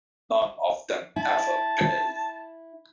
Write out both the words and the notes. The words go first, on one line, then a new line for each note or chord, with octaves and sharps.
None of them ever pay.
E4 A5